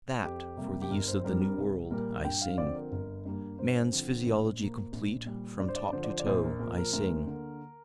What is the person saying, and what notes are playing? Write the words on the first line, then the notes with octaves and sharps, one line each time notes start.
That, for the use of the New World, I sing. Man's physiology complete, from top to toe, I sing.
F2 G4
C3 G3 A#3
G4
G1 A#4
C5
G2 G3 C4 A#4
A#4
C2
A#2 G3 A#3 A#4
G2 G5
F5
D3 F3 C4 D5
C5
A#4
G1 A#4
G2 G3 A#3
G2 C5
D3 F3 C4
A#1
A#2 A#3
A#1
A#2 G3
G2 D5
C5
D5
D3 F3 C5
D5
C5
D5
A#1 C5
A#4
A#2 F3 A#4
A#4
D2 A#4
D3 A#3